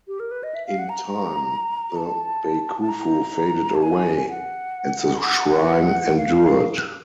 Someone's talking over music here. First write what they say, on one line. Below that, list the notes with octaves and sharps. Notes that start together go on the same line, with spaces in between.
In time, the bakufu faded away; and the shrine endured.
G4
A#4
B4
D#5
E5
F5
F#5
A#5
A5
A5
A#5
A5
G#5
F#5
F#5
F5